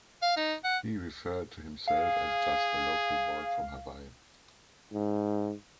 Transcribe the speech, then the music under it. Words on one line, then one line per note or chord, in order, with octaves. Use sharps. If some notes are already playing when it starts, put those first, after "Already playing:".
He referred to himself as just a local boy from Hawaii.
F5
D#4
F#5
G#4 F5
G#2